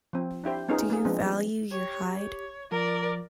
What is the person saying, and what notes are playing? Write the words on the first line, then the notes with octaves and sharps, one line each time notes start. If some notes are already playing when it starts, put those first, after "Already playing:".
Do you value your hide.
F3 C4
D4 E4 G4 C5
B3 C#4 D#4 F4 G#4 A#4
A#3 G#4
F3 G#3 B3 C4 D4
G3
G4 C#5
C#5
F3 A#4 D5